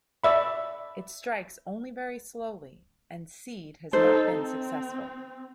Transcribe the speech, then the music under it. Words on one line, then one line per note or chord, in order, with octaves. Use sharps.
It strikes only very slowly and seed has not been successful.
D5 E5 B5
D#4 A4 C5
C4